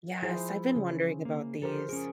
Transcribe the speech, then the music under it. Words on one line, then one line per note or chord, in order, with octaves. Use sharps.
Yes, I've been wondering about these.
F3 E4 G#4 C5
C#3 C#4
A#3
F3 G4 A4 A#4 C5
C#4 G#4 A#4